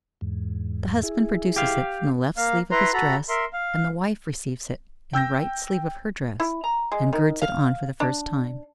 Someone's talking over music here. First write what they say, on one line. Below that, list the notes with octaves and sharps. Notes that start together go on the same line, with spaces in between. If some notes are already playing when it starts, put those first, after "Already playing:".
The husband produces it from the left sleeve of his dress; and the wife receives it in the right sleeve of her dress, and girds it on for the first time.
E2 G#2
E4 G#4
G4 F5
A#3 F5
E4 B4 A#5 C6
F#4 A4 A#5 B5
A#4 E5 C6
F5
G5 E6 G6 A#6
E4
A#5
G#3
D#3
F5
D4